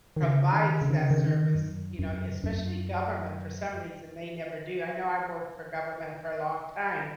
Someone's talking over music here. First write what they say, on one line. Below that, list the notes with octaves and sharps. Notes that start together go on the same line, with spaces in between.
provides that service, you know, especially government for some reason, they never do. I know I worked for government for a long time,
D#3
C#3
D#3
C#3
D#3
C#3
D#3
C#3
D#3
F#2
F#2
F#2